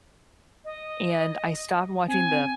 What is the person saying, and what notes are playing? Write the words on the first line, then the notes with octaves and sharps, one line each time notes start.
and, I stopped watching the f
D#5
C4 G#5